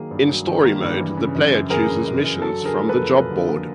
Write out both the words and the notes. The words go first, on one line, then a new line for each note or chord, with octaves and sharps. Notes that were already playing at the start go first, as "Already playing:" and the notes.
In story mode, the player chooses missions from the Job Board.
Already playing: D#3 F#3 A#3 G#4
G2
F#3
D#3
A#3
G2
E3
C#3
F#2
F#2
E3 G#4 A#4
C#3
F#2
F#2
F#3 A4
D3
G#4 A#4
A#3
A4 B4
F2
F#3
D3
A#3